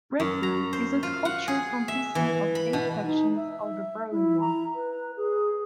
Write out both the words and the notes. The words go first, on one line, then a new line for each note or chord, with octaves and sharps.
"Breakthrough" is a sculpture consisting of eight sections of the Berlin Wall.
F#2
A#5
C5
F4
F#5
G#4
E5
E3
B5
B2
D#4
E5
E4
A#5
B4
G#4